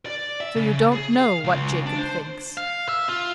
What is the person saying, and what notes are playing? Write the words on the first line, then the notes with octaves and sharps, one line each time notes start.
"So you don't know what Jacob thinks?"
D5
E5
C#3
G#4
F5
C#2
D4
C5
F5
E5
F4